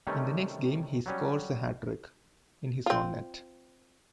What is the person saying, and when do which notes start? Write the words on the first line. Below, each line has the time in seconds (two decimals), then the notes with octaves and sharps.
In the next game he scores a hat-trick... in his own net.
0.07 C3 D#3 G3 A3 C#4
1.06 F#3 G3 C#4
2.86 C4 F4